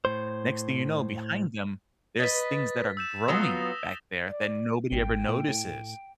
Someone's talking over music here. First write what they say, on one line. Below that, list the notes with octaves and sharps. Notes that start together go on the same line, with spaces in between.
Next thing you know, behind them, there's things that are growing back there that nobody ever notices.
A2 C5
B4 D#5 A6 B6
E6 G6 E7
F#3 B3 F4 D#6 A#6 G7
D5
G#1 G5
A#2
A2